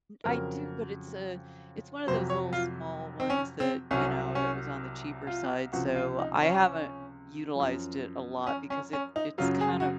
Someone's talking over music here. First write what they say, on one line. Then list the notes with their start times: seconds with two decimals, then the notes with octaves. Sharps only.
I do, but it's a it's one of those little small ones that, you know, that was on the cheaper side, so I haven't utilized it a lot because it it's kind of,
0.24 F2 C#3 F#3 A#4
2.07 F2 C3 F#3 C5
2.30 C#5
2.53 F4
3.20 C4
3.30 C#4
3.60 C4
3.91 C2 C3 F#3 C#4
4.35 C#4
5.27 F4
5.72 C#2 C3 F3 F#4
5.95 F4
6.19 D#4
6.42 C#4
7.55 F#2 F3
8.47 C#4
8.70 C#4
8.93 C#4
9.16 D#4
9.38 F#2 C#3 F#3 F4
9.61 G#4
9.80 F#4